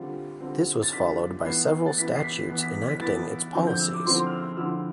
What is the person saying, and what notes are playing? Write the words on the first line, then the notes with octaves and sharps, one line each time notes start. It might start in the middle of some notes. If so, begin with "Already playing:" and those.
This was followed by several statutes enacting its policies.
Already playing: D3 G3 C4 F4
D3 G3 C4 F4
A6
D3 G3 C4 F4 B6
E3 B3 E4 C7
A6
E3 B3 E4 B6
C7
B6
E3 B3 E4
B6
B6
E3 B3 E4 A6
D3 F3 C4 E4
G6
E6
D6
D3 F3 C4 E4 C6
C6
F6
E6
F6
D3 F3 C4 E4 E6